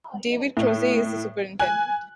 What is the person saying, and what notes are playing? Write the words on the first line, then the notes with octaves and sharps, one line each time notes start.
David Kroeze is the Superintendent.
A2
G#5 F#6